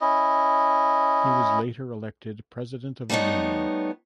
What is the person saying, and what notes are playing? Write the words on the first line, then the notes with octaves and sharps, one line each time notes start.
He was later elected president of the Union.
C#4 E4 D#5
G3 A3 B3 D#4 C#5